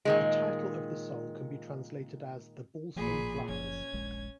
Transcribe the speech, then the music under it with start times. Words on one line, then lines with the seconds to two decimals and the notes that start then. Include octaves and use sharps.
The title of the song can be translated as "The Balsam Flowers".
0.05 A#2 D#3 G#3
2.96 A1 A#2 F3 G#4 B5
3.48 F#1 F3 C#4 G#6
3.93 D#1 A#1 G#3